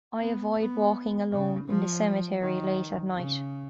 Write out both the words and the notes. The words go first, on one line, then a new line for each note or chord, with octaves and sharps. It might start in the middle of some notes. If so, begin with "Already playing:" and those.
I avoid walking alone in the cemetary late at night.
B3
B3
C#3
F3
D#3
C#3